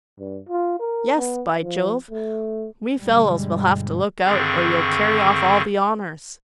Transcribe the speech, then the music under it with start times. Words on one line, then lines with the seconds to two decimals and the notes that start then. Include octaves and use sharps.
'Yes, by Jove! we fellows will have to look out or you'll carry off all the honours.
0.20 G2
0.49 F4
0.80 A#4
1.17 B3
1.61 F3
2.11 A3
3.00 G1 G2 B2 D3 G3 G#3
4.25 G2 D3 D#3 C4 G#4 C#6